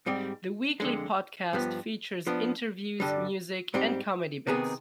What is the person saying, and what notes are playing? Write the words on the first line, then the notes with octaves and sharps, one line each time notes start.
The weekly podcast features interviews, music and comedy bits.
G#2 G3 C4 G4
F2 D3 G#3
G2 F3 B3
F3 B3 D4
G2 D3 G3
G#2 G3 C4 G4
C3 D#3 B3 D#4 G#4